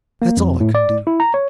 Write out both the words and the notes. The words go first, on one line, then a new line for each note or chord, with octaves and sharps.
That's all I can do.
A#3
F2
A2
D5
E4
A#5
C#5